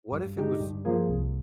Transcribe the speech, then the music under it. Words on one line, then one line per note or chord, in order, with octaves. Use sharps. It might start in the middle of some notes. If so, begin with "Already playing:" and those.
What if it was
G2
D3 G#3 D#4 G4
G2
F3 A#3 F4 G#4
C2